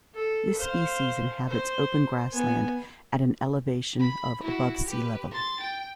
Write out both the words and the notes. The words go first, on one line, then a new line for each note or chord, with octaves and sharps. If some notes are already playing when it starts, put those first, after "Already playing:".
This species inhabits open grassland at an elevation of above sea level.
A4
C5 F5
C5
B3 G#5
B5
E4 F#4
G4 B4
C6 A6
G5